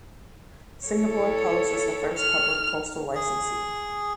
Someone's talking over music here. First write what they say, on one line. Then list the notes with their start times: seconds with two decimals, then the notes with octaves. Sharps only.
Singapore Post is the first Public Postal Licensee.
0.87 E4 A4 C#5
2.18 F6
3.15 G#4